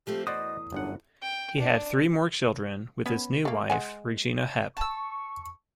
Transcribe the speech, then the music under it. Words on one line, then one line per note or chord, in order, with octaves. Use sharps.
He had three more children with his new wife Regina Hepp.
F3 A3 C4 G4
E2 F#4 C5 D5 D#5 D#6
G1 F#2 D4 F#5
G5
D4
B3 C#4 B4
A3 A#3
G#3 F#5 G#5
A5 C#6 E6